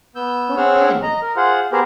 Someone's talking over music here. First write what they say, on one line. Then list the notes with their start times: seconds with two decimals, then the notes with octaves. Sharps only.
What then?
0.16 B3 E6 G6
0.57 C4 G#4 C#5 F#5 E6 F6
1.03 D#5 A#5
1.22 A#4
1.36 F4 G#4 C5 F#5
1.72 B3 G4 G#4 A#4 C5